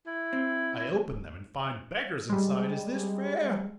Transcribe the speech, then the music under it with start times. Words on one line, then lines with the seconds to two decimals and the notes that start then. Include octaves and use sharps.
I open them and find beggars inside. Is this fair?
0.06 E4
0.33 C4
2.30 G3 G#3